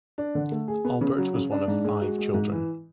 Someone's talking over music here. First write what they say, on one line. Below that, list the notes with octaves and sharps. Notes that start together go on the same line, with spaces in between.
Albert was one of five children.
D4
D3
A3
G#4
B3
C#3
F#3
C#3
D4
G#2
G#3
F#4
G#3
G#2
E3